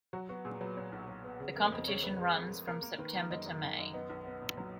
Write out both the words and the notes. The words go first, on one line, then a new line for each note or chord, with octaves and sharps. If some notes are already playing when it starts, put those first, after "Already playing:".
The competition runs from September to May.
F#3 F#4
B3 F#4
A#2 G#4
F#3 B4
A#2 C#5
B1
F#3
B3
C#3
F2 A#4
F2 D#5
C#3 C#5
F2 B4
G#3
F2
G#3
A#3 A#4
A#3
D#3 B4
A#3
F#2 D#5
F#2
D#3
F#2
B3 D#5
B1
B3
A#2
F#3